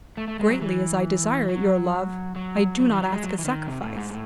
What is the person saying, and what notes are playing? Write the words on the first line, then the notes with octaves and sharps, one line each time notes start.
Greatly as I desire your love, I do not ask a sacrifice.'
A3
A3
G#3
F#3
E3
F#3
F#3
F#3
E3
F#3
G#3
F#3
E3
D#3
C3
A2
G#2
A2